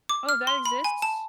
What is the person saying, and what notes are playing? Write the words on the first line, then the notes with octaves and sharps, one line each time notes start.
Oh, that exists?
D6
F6
C6
B5
G#5
A5